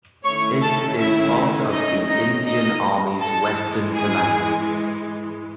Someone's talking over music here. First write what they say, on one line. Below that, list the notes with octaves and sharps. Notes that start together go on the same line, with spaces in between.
It is part of the Indian Army's Western Command.
D#3 A3 C#4 E4 C#5 C#6
A4 A5
E4 E5
D#4 D#5
D#4 D#5
D#4 D#5
G#2 E3 G#3 A4 A5
G#4 G#5